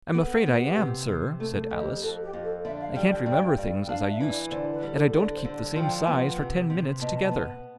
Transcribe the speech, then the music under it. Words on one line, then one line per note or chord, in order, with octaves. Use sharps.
'I'm afraid I am, sir,' said Alice; 'I can't remember things as I used--and I don't keep the same size for ten minutes together!'
B3 A4
C5
B4
B3
G4
C3
C3
A3 A4
A4
F2
G4
F2 A4
G4
F2
A4
D3 E5
F5
G3 G5
G5
G2 G5
G2
G5
D4 F5
E5
E3
D5
D3 C5
B4
G3
A4
D3 A4
C5
D3
D5
F3 G5
B3
C3
C3
B2 A5
B3